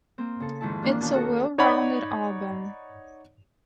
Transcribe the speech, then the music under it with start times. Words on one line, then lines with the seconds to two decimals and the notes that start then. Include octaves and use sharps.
It's a well-rounded album.
0.18 A#3 C4
0.40 C#3 A4
0.61 F2 G#2 D#3 E4 A5
0.82 E3 A#3 D4 F4
1.00 D#2 B2 C#4 F4 A5
1.14 D#4 F#4 A4 A#4 C#5
1.58 D#4 C#5 D5 F#5 B5